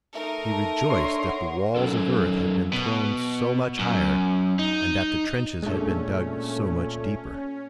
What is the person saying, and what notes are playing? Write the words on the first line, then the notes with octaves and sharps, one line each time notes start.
He rejoiced that the walls of earth had been thrown so much higher and that the trenches had been dug so much deeper.
A3 D#4 A#4
A5
D4 C#5 C6
F#5
F#3 C#4 D#4 A4 A#4
B2
F#2
D#4
A#2 G#3 A3 C#4 D4